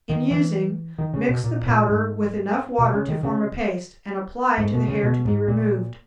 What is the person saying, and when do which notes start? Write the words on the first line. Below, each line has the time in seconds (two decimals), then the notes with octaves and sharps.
In using mix the powder with enough water to form a paste, and apply to the hair to be removed.
0.10 D#3
0.31 E3
0.99 D#3
1.14 C#3
1.29 B2
1.44 A#2
1.67 A#2
1.89 G#2
2.78 B2
2.94 C#3
3.09 D#3
3.23 C#3
4.58 G#2
4.74 B2
4.88 C#3
5.03 B2
5.25 G#2
5.48 A#2